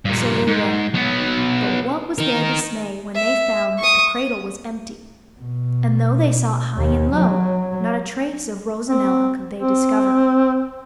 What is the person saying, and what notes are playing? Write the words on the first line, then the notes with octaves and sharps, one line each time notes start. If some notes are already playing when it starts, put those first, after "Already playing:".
So they ran; but what was their dismay when they found that the cradle was empty; and though they sought high and low, not a trace of Rosanella could they discover.
G2 A#2
G#2
F#3 B3
D#4 A#4
E5
C#6 D#6
B2
D#2
F#3
C4
C4